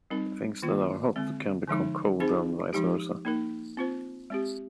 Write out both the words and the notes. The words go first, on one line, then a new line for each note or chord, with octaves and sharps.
Things that are hot can become cold and vice versa.
G3 C4 D#4 A#4
D#3 A#3 F4
D3 G#3 C4
D3 F3 G#3 D#4
C4 D#4 G#4 C5
F3 G#3 D#4 G4
A#3 D#4 A#4
C4 F4 C5
G#3 C4 G4